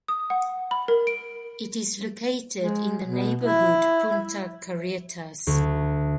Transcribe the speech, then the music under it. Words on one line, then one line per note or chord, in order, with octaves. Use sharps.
It is located in the neighborhood Punta Carretas.
D#6
F#5
B5
A#4
D7
G#3
B2
E4
D2